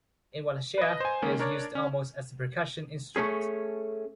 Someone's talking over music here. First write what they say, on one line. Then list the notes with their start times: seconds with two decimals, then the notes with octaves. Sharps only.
In Wallachia, it is used almost as a percussion instrument.
0.78 B4 D#5
1.00 C5 G#5
1.22 D#3 G#3 A#3 C#4
1.39 D4 A#4 C#5 D5
1.75 C#4
3.16 A3 C#4 G#4